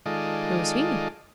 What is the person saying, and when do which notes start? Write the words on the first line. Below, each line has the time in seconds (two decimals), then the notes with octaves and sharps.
"Who is he?"
0.06 D#3 G#3 F4 A4 D5 D#5